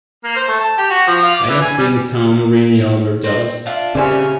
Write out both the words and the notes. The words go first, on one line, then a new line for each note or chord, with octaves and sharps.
I don't think Tom really overdosed.
A#3
C5
A3
A5
G4
F#4
F3
F4
D6
E3
G#5
G3
C4
D4 F4 E5
A#2 C#3 C#4 G4 C5 D5 E5